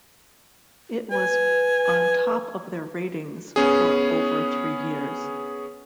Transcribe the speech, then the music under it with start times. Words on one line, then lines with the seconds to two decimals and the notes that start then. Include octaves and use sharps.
It was on top of their ratings for over three years.
1.11 B4 G#5
3.56 B3 C#4 G#4